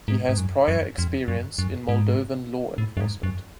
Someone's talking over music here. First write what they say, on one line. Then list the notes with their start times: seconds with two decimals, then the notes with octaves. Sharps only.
He has prior experience in Moldovan law enforcement.
0.08 G#2
0.29 G#2
0.37 F#2
0.68 F#2
0.98 F2
1.28 F#2
1.59 F#2
1.89 G#2
2.78 A2
2.97 F#2
3.01 G#2
3.23 F#2